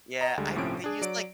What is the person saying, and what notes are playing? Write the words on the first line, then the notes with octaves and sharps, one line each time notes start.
Yeah, I they use, like
D#5 A#5
D2 D3 G3 G#3
G1 A2 C3 F3 C#4 D7
D4 G#4
F#3 D5 D7